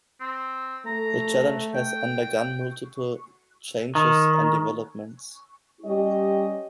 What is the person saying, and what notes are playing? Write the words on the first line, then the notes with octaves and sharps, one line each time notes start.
The challenge has undergone multiple changes and developments.
C4
A3 A#5
G5
D#3
G3 C#4 G4 D#5